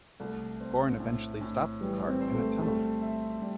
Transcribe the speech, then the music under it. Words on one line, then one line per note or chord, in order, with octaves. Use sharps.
Goran eventually stops the car in a tunnel.
C2 A3
C4
A2
A2
E3 G3
C4
C5
A3
G3 A3
E5
G3